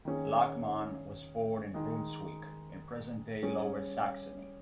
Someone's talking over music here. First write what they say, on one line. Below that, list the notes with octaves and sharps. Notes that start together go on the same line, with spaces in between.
Lachmann was born in Brunswick, in present-day Lower Saxony.
D#3 A#3 C#4 G#4
D#3 G#3 D#4 G#4
G3 C#4 G#4